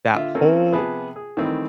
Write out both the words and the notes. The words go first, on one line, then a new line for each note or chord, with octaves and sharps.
That whole
D3 F4 E5
C4 C#4 A4 A#4
C3 F3 B3 G#4 B4 A5
G#4
D#3 E3 G3 A3 C4